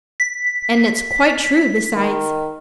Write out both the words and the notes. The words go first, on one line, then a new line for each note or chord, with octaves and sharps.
And it's quite true besides.
B6
D#3